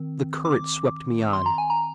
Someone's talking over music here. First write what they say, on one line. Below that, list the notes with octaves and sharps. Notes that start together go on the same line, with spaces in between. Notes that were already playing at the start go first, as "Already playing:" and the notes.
The current swept me on.
Already playing: D#3 C4
D6
C6
A#5
G#5
A#5